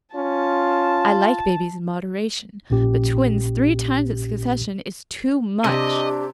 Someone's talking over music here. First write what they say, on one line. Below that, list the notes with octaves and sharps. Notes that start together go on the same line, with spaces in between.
I like babies in moderation, but twins three times in succession is TOO MUCH.
C#4 F4 A5
A#1 A#2 C#4 G4
C3 D4 G4 D#5